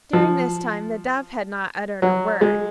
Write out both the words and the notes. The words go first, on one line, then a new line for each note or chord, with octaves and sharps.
During this time the Dove had not uttered a word.
F3
F#3
G#3